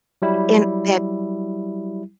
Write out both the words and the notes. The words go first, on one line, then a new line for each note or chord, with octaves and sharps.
and that
F#3 G3 E4